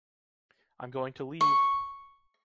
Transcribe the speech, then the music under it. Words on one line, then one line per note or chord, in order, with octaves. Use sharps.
I’m going to leave! ...
C#6